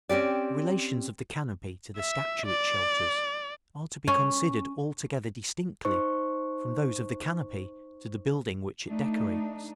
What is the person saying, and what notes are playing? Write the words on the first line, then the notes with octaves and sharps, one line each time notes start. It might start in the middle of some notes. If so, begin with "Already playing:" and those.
The relations of the canopy to the statue it shelters, are to be considered altogether distinctly from those of the canopy to the building which it decorates.
C4 C#4 G4 D5
E5
D5
C#4
D#4 C5 C#6
A3 D4 D#4